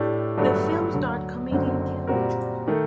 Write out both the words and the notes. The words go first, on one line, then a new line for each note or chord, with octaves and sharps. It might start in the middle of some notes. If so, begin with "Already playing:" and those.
The film starred comedian Kel Mitchell.
Already playing: A2 A3 D4 G4
G1 G2 F#3 A3 D4
D2 D3 F#3
F#1 F#2 D3 F#3 C4
A#2 G3 C4 F#4 A#4
D#3 A3